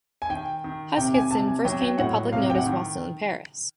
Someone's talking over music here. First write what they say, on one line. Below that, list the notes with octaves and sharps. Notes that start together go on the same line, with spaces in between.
Huskisson first came to public notice while still in Paris.
G#5
D#3 G5
D#3
C3 G5
G#5
C3 A5
G#5
F#3 G5
G5
A2 F#5
C3 F5
G5
F#5
D#3